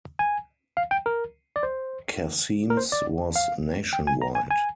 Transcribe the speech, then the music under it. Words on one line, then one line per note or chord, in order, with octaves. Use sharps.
Khasim's was nationwide.
G#5
F5
G5
A#4
D5
C5
A#4
C5
D5
F5
G5
G#5
A#5
G#5
G#5